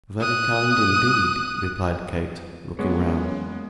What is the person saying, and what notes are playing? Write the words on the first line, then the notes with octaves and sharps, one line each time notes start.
'Very kind, indeed,' replied Kate, looking round.
D#6 F#6
F#2 G#3 A#3 B3 C#4 C#5